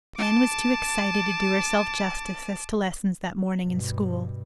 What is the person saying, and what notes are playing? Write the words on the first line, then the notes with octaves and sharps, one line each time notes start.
Anne was too excited to do herself justice as to lessons that morning in school.
A5 D6
G2 B2